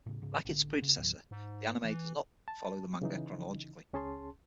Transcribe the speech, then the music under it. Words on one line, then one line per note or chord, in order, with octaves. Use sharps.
Like its predecessor, the anime does not follow the manga chronologically.
A2 C#3
G#2 C#3
A1 D3
C#3
D#2 A2 D#3 F#3
G#2
E3
A5
C#3 E3 D#4
C#2 C#4 G#4 A5 C6